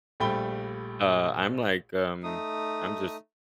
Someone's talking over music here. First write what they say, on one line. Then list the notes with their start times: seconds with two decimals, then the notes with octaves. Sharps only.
Uh, I'm like, um, I'm just,
0.20 A#1 G3 A3 G5 B5 G7
2.23 A3 D#4 D#6